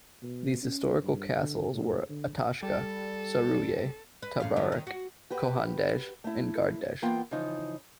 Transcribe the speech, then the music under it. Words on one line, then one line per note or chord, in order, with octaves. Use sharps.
These historical castles were "Atashgah", "Sarooyieh", "Tabarok", "Kohan Dej", and "Gard Dej".
B2
C#4
G2
D3
A2
D3
G3 A4
B4
F#2 A2 F5
D3 F#3 B3
D#3
F#4
F#4 G4 B4
A3 E4
E3 A#3 B3 F4 G5
C#3 E3 F3 D#4